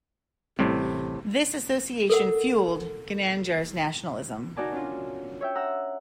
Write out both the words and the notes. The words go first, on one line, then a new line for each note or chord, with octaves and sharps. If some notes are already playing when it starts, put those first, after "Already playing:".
This association fueled Ginandjar's nationalism.
A1 A2 C3 G3 C4
A4 A#4 F#5
D#4 F#4 A#4 D5 G#5 A5
C#4 D4 F4
C#5 E5 G5
F#5 A#5 E6